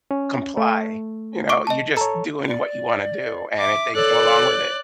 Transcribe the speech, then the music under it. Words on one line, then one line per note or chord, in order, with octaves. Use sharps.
comply, you know, you're just doing what you want to do, and if they go along with it,
C#4
A3
C#6 D6 D7
D#5 A5
A4 C#5 A#5
D5
E5 D6
A4 C#5 D5 F#6